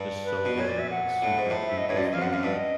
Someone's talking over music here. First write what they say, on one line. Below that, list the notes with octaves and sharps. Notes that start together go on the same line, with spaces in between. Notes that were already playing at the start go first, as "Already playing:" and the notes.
just so good and, like, super-duper flaky.
Already playing: G2
B4
B2
A#2 C#5
D5
E5
F#5
A2
G#2
A2
E5
D#5
G2 C#5
F#2 D5
D#5
F2 F5
F#2 F#5
F#2 F5
G2 E5
D#5